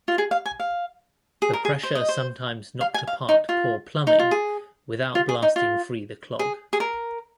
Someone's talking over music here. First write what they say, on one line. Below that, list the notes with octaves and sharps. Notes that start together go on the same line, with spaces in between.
The pressure sometimes knocked apart poor plumbing without blasting free the clog.
F4
G#4
F5
G#5
F5
G#4
A#4
G#4
C5
D#5
C5
F5
G#5
F5
D#4
F4
D#4
F4
G#4
F4
G#4
D#4
F4
G#4
G#4
A#4